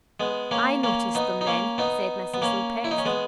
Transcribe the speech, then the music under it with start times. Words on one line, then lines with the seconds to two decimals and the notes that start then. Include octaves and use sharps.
"I noticed them, then," said Mrs. Lupex.
0.20 G#3 B3
0.51 A#3 C#4
0.83 A#3 C#4
1.15 B3 D#4
1.41 D#4
1.47 A#3 C#4
1.78 B3 D#4
2.34 B3
2.42 A#3 C#4
2.84 E4
2.91 D#4
2.98 C#4
3.05 G#3 B3